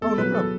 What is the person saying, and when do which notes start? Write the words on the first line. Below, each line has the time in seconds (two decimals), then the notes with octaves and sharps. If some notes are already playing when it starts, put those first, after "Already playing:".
Oh, no problem.
0.01 E2 A4
0.18 F#3 B4
0.35 A4